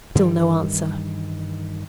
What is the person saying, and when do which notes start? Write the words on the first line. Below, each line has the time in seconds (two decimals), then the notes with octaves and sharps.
Still no answer.
0.15 G2 D#3 E3 G3